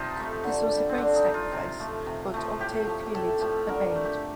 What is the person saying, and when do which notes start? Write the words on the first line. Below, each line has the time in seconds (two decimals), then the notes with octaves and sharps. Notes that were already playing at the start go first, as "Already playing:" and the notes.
This was a great sacrifice, but Octave Feuillet obeyed.
Already playing: C3 D#4 F4 G4 A4
0.16 F3 A3
0.44 D3
0.71 G3
0.89 C4
0.98 D3 D4
1.16 D#4
1.26 G3
1.34 F4
1.52 C3
1.79 F3 A3
2.06 C3
2.34 F3 A3
2.60 A2 G4
2.87 F3 A3
3.06 G4
3.14 A2 A4
3.41 F3 A3 G4
3.69 D3 A#4
3.95 A3
4.05 G4